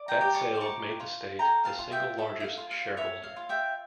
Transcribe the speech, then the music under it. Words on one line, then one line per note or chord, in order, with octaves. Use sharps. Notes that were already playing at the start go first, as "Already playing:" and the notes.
That sale made the state the single largest shareholder.
Already playing: D5
G5 A#5
G4
A5 C#6
A#4 A5 C#6
F4
A4 G5 A#5
F5 A5
F4
E5 G5
A4 E5
E5
F5
F4
F5
C#5 E5
F5
F4
E5 G5